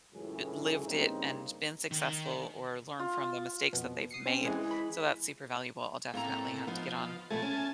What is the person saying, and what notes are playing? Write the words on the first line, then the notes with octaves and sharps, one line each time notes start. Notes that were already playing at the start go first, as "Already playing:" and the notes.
i lived it and been successful or learned from the mistakes that they've made, so that's super valuable, I'll definitely have to get on
C#2 F#2 A2 E3 G#4
G2 C#3 A#3 C4 D#4
D#3
F4
F2 B2 B3
D#6 C7 C#7
C4 C#4
E3 G#3
B5
A2 A#3 C4 A#5
F3 B3 D#4
B2 F3 A3 G#5 A5
C#4